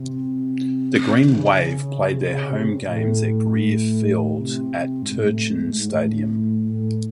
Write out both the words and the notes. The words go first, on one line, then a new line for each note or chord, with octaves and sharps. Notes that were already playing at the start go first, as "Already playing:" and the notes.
The Green Wave played their home games at Greer Field at Turchin Stadium.
Already playing: C3
D#3
C#3
C#3
C3
C#3
C3
A2
C3
G#2
A2
G#2
G#2
A2
A2